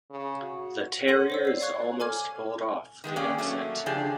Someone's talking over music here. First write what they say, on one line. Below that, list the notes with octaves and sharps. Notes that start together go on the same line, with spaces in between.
The Terriers almost pulled off the upset.
C#3
F#4
A4 C#5 F#5 C6 D#7 F#7
C5 C#5 E6
D5 C7
C#5 D5 F5 C#6 F#6 G#6
A4 G#5 D6 F6 G#6
D#3 G#3 B3 G5
A#3 C#4 G#4 D5 G5
F#3 A3 A#3 C#4
C#3 F3 D4 G4 G#4